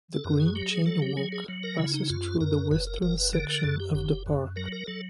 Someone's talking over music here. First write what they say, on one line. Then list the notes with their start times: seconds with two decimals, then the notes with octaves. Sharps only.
The Green Chain Walk passes through the western section of the park.
0.14 A4
0.24 F#2 A#4
0.40 G#4
0.55 F#3 G4
0.70 G#4
0.85 F#3 A4
1.02 G4
1.17 F#3 G#4
1.32 G#4
1.48 F#3
1.63 A#4
1.78 C#3 E4
1.94 D#4
2.10 F#2 F4
2.41 F#2 A#4
2.71 F#1 B4
2.87 A#4
3.02 F#1 A#4
3.17 B4
3.33 D3 A#4
3.49 A#4
3.64 F#2 A4
3.80 G4
3.94 F#1 G4
4.26 F#2
4.56 F#3 A#4
4.72 A#4
4.87 F#3 A4